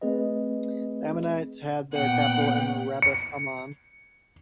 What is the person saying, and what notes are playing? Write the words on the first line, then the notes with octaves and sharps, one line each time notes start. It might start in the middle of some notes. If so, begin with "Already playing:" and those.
The Ammonites had their capital in Rabbath Ammon.
A3 C4 G#4 B4 D#5
A#2 B3 F#5 G5
C#7